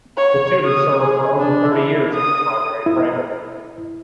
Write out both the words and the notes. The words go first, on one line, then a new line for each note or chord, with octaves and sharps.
The Tutor served for over thirty years as a primary trainer.
C#5
D#6
G#4
D4
E4
D#6
E4